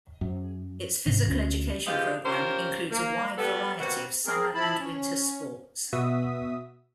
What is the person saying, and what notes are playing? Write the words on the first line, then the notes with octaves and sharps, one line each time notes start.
Its physical education program includes a wide variety of summer and winter sports.
F#2
G#2 C3 D#3
D2 C#4
E3 F3 G#3 G4 D#5 F5
C#4 F4 G4 A#4 C5
A#3
G3 B3 A4
B2 G3 A#3 C4 F#4
C4 G#4 A#4
F3 E4 A5 B5
C#4
B2 B3 F#4 E5 D#6 B6